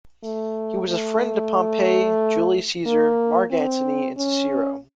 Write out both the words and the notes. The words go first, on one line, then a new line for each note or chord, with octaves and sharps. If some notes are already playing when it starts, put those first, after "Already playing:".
He was a friend to Pompey, Julius Caesar, Mark Antony and Cicero.
A3
A3
A#3
C4
C#4